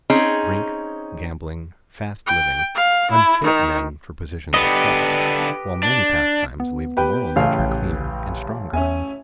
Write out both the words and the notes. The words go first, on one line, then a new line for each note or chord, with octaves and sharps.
Drink, gambling, fast living, unfit men for positions of trust, while many pastimes leave the moral nature cleaner and stronger.
C4 C#4 D#4 G#4
G5
F5
E4
D#3
D3 B3 G4 B4 D#5
D4
B3
G4 B4 G5
A1 C#3 F5
A#1
E2 C#4 E5 G#5